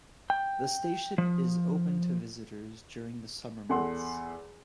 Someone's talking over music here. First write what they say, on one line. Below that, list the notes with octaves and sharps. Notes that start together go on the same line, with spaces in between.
The station is open to visitors during the summer months.
G5
F3
E2 A4 F#5 C6